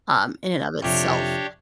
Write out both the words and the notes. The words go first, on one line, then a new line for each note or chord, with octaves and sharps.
um, in and of itself.
F2 C3 D4 G4 C#5